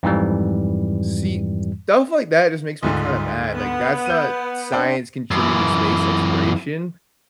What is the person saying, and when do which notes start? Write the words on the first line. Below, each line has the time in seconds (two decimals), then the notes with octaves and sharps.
See, stuff like that just makes me kinda mad, like, that's not science contributing to space exploration,
0.03 F2 G#2 E3 G3
2.83 D2 G#2 D3 F4 D#5
3.55 B3
4.06 G6 D#7
4.72 C4 D4 G5
5.31 F#2 E3